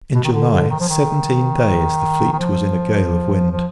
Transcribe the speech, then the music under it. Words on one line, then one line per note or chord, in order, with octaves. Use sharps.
In July, seventeen days the fleet was in a gale of wind.
B2
D#3
D3
D3
D#3
F3
D#3
D#3
F3
F3